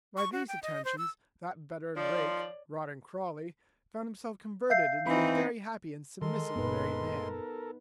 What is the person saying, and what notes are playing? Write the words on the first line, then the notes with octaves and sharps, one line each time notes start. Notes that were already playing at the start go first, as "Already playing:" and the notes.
By these attentions, that veteran rake, Rawdon Crawley, found himself converted into a very happy and submissive married man.
C#6
F#4
G5
D#5
C5
E6
D#3 F3 C#5 D5
E5 F5 G6 C7
E3 C4 D#4 B5
D#3 E3 G#3 A4 A#4 C6
F#1 A#2 B3 D#4 B4